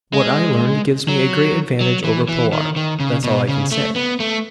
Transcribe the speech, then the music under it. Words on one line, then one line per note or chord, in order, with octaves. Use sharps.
What I learned gives me a great advantage over Powart; that's all I can say.
G#3
F#3
F#3
E3
E3
D#3
D#3
C#3
B2
C#3
A3
B3
A3